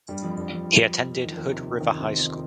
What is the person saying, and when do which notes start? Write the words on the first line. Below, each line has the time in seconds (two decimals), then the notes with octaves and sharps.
He attended Hood River High School.
0.08 G2 G3
0.23 F2 F3
0.38 G2 G3
0.52 F2 F3
1.24 D#3
1.31 F3
1.37 D#2 D#3
1.52 C3
1.80 D#2 D#3
1.99 C3 C4
2.18 F2 F3